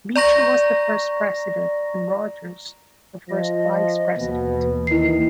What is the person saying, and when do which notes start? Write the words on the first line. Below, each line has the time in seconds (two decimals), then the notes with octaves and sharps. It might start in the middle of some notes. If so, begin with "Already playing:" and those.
Beecher was the first president and Rogers the first vice-president.
0.16 D5 A#5 C#6 A#6
3.29 F3 D#5
4.18 D#2 B2 E3
4.87 D#3 E4 C7